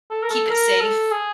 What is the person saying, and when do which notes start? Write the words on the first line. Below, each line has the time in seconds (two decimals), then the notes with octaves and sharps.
keep it safe.
0.10 A4
0.23 A#4
0.30 A4
0.50 A#4
0.80 A4
1.12 G#4